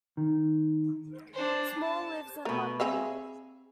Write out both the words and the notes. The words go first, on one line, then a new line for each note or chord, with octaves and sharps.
Small lives in London.
D#3
D4 C5
A5
B2 A3 A#4 B4
C4 G#4 E5 F5